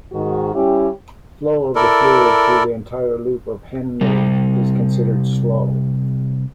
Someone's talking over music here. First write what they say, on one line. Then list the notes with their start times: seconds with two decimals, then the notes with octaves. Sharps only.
Flow of the fluid through the entire loop of Henle is considered slow.
0.12 G#2 D#3 F#4
0.54 G3 C#4 E4 G4
1.76 E4 A4 A#4 D5
4.01 C3 G3